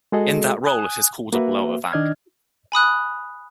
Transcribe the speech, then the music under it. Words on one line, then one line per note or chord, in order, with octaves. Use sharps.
In that role it is called a blower vac.
G#3 F#4 G#4 A4 D#5
G#5 D#6 F#6
A#3 F#4 B4 E5
D#3 D4 D5 D#5 F6 G#6
G#5 B5 D#6 F#6